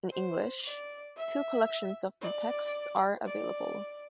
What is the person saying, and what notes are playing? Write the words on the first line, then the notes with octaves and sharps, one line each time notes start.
In English, two collections of the texts are available.
C5
D5
E5
D5
D5